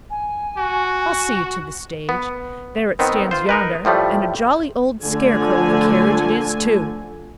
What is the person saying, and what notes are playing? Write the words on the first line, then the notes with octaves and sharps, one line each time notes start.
"I'll see you to the stage. There it stands yonder--and a jolly old scarecrow of a carriage it is, too!"
G#5
F#4
B3
D#3 B3 C4
F4 C5
D#4 A#4 B4
A2 F3 G3 A3
D3 F3 A3 G#5